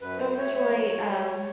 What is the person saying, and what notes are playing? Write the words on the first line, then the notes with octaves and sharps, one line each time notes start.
it was really, um,
F#2 B4
C5
A3 C#5
C#5
F#3
A3